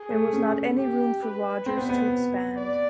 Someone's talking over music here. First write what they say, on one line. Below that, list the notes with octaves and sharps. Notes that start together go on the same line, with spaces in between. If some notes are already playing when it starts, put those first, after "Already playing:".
There was not any room for Rogers to expand.
Already playing: G#4
A3
C#4
G4
B4
C4 C5
B3
B3
D5